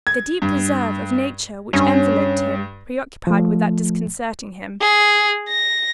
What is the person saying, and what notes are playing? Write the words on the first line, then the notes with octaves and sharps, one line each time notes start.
The deep reserve of nature which enveloped him preoccupied without disconcerting him.
G#6
G2
G2 C#4
F3 A3
G#4
A#6